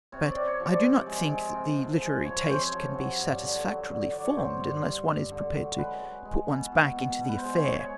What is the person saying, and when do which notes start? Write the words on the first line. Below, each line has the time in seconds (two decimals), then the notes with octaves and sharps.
But I do not think that the literary taste can be satisfactorily formed unless one is prepared to put one's back into the affair.
0.12 C3 C#5
0.30 D5
0.36 C3
0.47 C#5
0.60 F3
0.66 D5
0.83 C3
1.06 G#3
1.30 G#3
1.54 C3
1.77 F3
2.01 G#3
2.25 F3 C#5
2.48 C3 C5
2.60 C#5
2.72 F3
2.95 F#3
3.19 G2
3.42 D3
3.66 F#3
3.89 D3
4.11 F#3 D5
4.24 C#5
4.37 G2 C5
4.60 G2
4.84 G2
5.07 G2
5.31 D3
5.55 F#3
5.78 G#3 B4
6.02 G#3
6.25 G#3
6.49 B2
6.72 B2
6.96 B2
7.19 B2
7.29 B4
7.38 C5
7.44 G#3
7.56 C#5
7.67 G#3
7.73 C#5